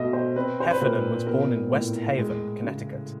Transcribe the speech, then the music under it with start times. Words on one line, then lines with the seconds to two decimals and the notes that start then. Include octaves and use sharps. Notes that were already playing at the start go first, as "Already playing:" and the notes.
Heffernan was born in West Haven, Connecticut.
Already playing: B2 A3 D#5 E5
0.13 C5
0.36 C4 B4
0.60 C5
0.71 B4
0.81 A#2 A#4
1.27 B3 A#4
1.73 A2
2.18 G#3
2.64 C#3